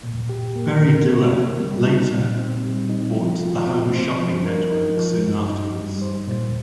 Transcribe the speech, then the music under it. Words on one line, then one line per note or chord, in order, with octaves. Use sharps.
Barry Diller later bought the Home Shopping Network soon afterwards.
A#2
G4
A#3
A#4
C3
A#3
G3
D#4
A#2
C4
G3
D#4
F3
F4
C4
C5
F3
A#4
D#4
F3
G2
D#4
G3
C5
A#2